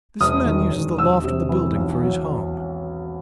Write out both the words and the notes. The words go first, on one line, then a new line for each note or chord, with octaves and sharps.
This man uses the loft of the building for his home.
E1 D#6
D#3
E1
E1 E6
C3
E3
B1
F#3